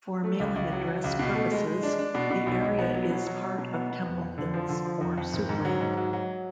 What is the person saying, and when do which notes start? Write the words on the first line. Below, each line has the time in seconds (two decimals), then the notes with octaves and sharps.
For mailing address purposes, the area is part of Temple Hills or Suitland.
0.24 A3
0.40 C#2
0.56 C#2
0.72 F#3
0.87 F#3
1.04 C#2
1.19 B2
1.35 A3
1.52 G#3
1.67 G#3
1.83 D4
1.99 D4
2.15 B2
2.31 B2
2.46 B1
2.62 B1
2.79 B3
2.95 F#3
3.10 B2
3.26 F#3
3.42 F#3
3.58 B2
3.74 B3
3.90 B3
4.05 F2
4.22 F2
4.38 D3
4.54 F3
4.69 D3
4.85 F3
5.01 F2
5.18 F2
5.33 G#1
5.49 G#2
5.65 F#3
5.81 G#2
5.97 F#3
6.13 F#3